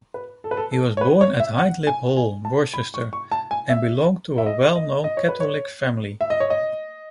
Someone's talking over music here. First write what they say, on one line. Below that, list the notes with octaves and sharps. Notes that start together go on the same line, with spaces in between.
He was born at Hindlip Hall, Worcestershire, and belonged to a well-known Catholic family.
B4
A4
B4
A4
A4
C#5
B4
C#5
E5
F#5
G#5
G#5
A5
B5
C#6
C#6
A5
G#5
E5
E5
D#5
D#5
D#5
C#5
B4
C#5
E5
D#5
C#5
D#5